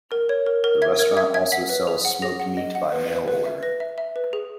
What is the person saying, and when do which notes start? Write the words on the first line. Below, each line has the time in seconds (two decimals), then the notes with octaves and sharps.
The restaurant also sells smoked meat by mail order.
0.12 A#4
0.29 C#5
0.46 A#4
0.64 A#4
0.82 E5 G#6
0.99 A#4 G#6
1.17 E5 G#6
1.34 E5 G#6
1.52 F#5 B6
1.69 B4
1.87 G#4
2.05 F#5
2.22 G#4 A#6
2.40 F#5
2.57 D#5
2.75 F#5
2.92 B4
3.10 B4
3.28 B4
3.45 E5
3.63 B4 A#6
3.80 E5
3.98 E5
4.16 B4
4.33 G#4